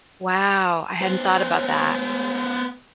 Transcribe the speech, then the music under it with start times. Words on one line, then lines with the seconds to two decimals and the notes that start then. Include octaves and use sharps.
Wow, I hadn't thought about that.
1.01 B3 C5